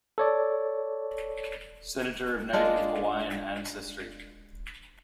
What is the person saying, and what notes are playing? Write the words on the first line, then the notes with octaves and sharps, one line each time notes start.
Senator of Native Hawaiian ancestry.
A4 C#5 D5
G#3 D4 F4